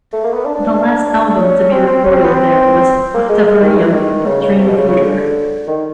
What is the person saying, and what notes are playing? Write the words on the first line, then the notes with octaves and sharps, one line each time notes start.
The last album to be recorded there was "Octavarium" by Dream Theater.
A3
A#3
B3
D4
D4
D4
C#4
C4
C4
C#4
C4
B3
C4
A#3
G#3
D#3
E3
D#3
C#3
C#3
C3
B2
C#3
C#3
D3
D#3